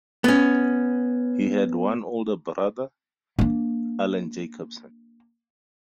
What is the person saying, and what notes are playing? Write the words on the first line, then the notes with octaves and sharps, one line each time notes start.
He had one older brother, Allen Jacobson.
B3 C#4
A#3 D4